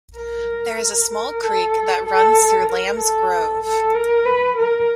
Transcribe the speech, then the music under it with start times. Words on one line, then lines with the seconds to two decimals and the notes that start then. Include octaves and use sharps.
There is a small creek that runs though Lambs Grove.
0.17 A#4
1.11 A#4
1.42 A4
2.05 A4
2.68 A#4
3.00 A4
3.63 A4
3.94 A#4
4.26 B4
4.57 A#4